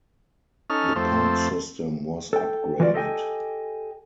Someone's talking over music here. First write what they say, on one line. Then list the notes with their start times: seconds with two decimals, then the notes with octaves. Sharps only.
The park system was upgraded.
0.70 C#4 D#4 A4 F6
0.96 F2 A3 C4
2.33 A4 G5
2.80 E3 F4 F#4 D5
2.94 G4 A4 D#5 F5 G5 G#5